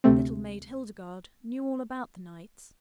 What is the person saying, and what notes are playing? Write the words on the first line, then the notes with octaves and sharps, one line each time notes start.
Little Maid Hildegarde knew all about the knights.
D2 C3 A3 C4